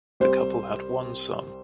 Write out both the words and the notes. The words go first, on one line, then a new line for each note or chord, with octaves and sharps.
The couple had one son.
C2 C3 G3 C5